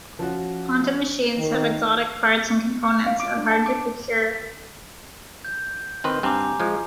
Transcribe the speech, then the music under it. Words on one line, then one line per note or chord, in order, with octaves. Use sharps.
Quantum machines have exotic parts and components are hard to procure.
F3 C#4 F#4
D#3
C#6
F5
D6
D4
A5
D6
G6
D#3 C4 B4 C6
G2 C4 G#5 A#5 D6
F3 G#3